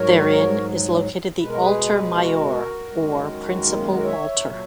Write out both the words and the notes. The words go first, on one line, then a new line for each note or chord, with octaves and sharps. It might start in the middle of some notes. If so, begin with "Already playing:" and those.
Therein is located the "Altar Mayor" or principal altar.
Already playing: G#2 F#3 A#4 C#5
B2 G#3 B4
A#4
G#4 B4
F#4 A#4
F#2 D#3 G#3
B3 D#4
A#3 C#4
B3 D#4
F#4 A#4
C#5 E5
A#2 F#3